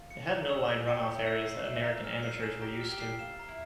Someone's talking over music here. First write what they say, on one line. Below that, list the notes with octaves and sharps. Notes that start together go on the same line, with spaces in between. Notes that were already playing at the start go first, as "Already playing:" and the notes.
It had no wide run-off areas that American amateurs were used to.
Already playing: F4
C#7
A#5
E6
G6
G4 C#7
A#5
E4
E6
E4 C7
F4
E4 E7
F4
A#5
G#4 F6
A#4 C7
G#4 E7
G4 A#5
F6
G4
C7
F4 E7
A#5
E4